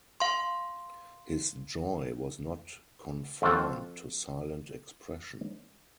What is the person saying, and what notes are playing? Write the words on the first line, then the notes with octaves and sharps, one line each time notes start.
His joy was not confined to silent expression.
F5 C6
F2 F3 C4 F4 F#4 A4